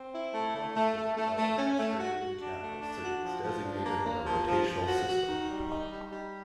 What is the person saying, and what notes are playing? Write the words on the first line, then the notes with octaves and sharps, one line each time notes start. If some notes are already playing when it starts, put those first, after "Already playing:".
The conferences are held in Australian capital cities designated on a rotational system.
Already playing: C4
E4
A3
A3
A3
A3
A3
A3
C#4
A3
F#4
F#4
D4
A3
D4
F#4
F3
F3
D4
A#3
A#3
F3
F3
F3
F#4
F#4
D#3
G3
D#4
G3
G3